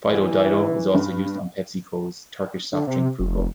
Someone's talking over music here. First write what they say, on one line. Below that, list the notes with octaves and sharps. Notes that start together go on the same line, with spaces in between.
Fido Dido is also used on PepsiCo's Turkish soft drink Fruko.
E3
G2
D3
C3
F1